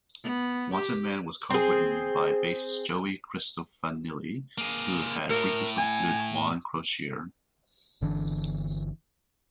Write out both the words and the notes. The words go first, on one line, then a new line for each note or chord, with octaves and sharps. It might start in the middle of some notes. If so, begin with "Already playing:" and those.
"Wanted Man" was co-written by bassist Joey Cristofanilli, who had briefly substituted Juan Croucier.
B3
G4
C4 G#4
A#3 G#4
A2 A#4
G#5
G1 D3 E3 D4